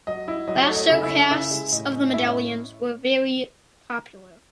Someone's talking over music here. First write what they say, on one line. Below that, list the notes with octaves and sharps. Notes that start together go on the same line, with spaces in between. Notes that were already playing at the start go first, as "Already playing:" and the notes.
Plaster casts of the medallions were very popular.
F#3 D#5
E4
F#3 D#5
C#5
A3
D#5
C#3 E4 E5
E4 E5
C#4
C#3 E4 E5
G#3
A2 D#5
C#4
D#5
A2 E4 E5
C#5